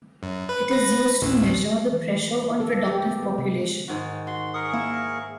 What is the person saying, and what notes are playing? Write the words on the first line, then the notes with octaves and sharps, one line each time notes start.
It is used to measure the pressure on productive population.
F#2
B4
B4 A#6
A1 D2 A2
E3
A3
A#3
A4
G4
B3
G#3
C3
G#2 D#3 F#4
F#4 C6
G#4 A#4 C#6 D#6
A#3 E4